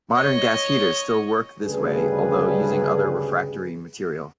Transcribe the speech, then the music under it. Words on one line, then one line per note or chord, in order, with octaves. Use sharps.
Modern gas heaters still work this way although using other refractory material.
C#5 D#5
D2 G2 C#3 G3 G#4 B4